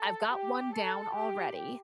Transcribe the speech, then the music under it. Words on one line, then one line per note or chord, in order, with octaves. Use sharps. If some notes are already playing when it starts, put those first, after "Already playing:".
I've got one down already,
Already playing: A4
G4
A4
G4